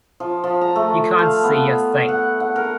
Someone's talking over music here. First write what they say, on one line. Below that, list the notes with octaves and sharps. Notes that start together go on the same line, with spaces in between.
You can’t see a thing.
F3
F3
A#5
A3
F5
B3
F#5
F#5
A#4